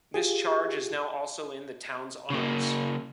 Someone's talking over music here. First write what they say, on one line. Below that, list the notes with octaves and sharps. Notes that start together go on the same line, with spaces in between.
This charge is now also in the town's arms.
F4 G4 G#4
C#3 A#3